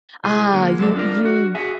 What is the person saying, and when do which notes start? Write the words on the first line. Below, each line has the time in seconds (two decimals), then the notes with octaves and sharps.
Ah, you you
0.24 C2 E4 G#4
0.53 D3 G#3 A#3
0.79 F#3 C4 A4 D5
0.96 D4 F4 A#4 D5
1.25 F#4
1.55 F#4 G#4 E5 G#5